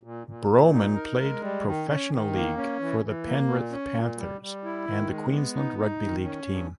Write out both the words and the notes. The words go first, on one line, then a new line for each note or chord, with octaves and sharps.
Brohman played professional league for the Penrith Panthers and the Queensland rugby league team.
A#2
A#2
A#2
D#4
A#4
G#3
G3
D#3
C#4
D#3
A#3
C#4
E3
E3
A#3
A#2
C#4
A#2
G3
G3
E4
D#3
G#3
B3
D#4
D#4
D#3
C#4
G2